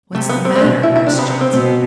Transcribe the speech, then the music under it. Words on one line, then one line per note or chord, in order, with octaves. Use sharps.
"What's the matter?" asked Johnson.
C3 A3
B3
C4
C4
B2 D4
E4
E4
C3 D4
B3
B3
C4
B2 C4